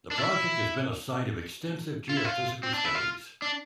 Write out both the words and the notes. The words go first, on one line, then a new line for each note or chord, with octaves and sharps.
The project has been a site of extensive geophysical studies.
D4
E4
F4
E4
F4
C4
D4
E4
F4
D4